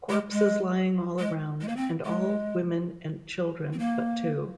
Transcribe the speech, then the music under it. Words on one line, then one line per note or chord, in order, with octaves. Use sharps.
Corpses lying all around, and all women and children, but two.
G#3
G#3
G#3
G#3
A#3
C4
G#3
C4
A#3